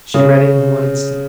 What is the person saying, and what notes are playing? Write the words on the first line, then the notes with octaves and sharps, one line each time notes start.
She read it in one instant.
C#3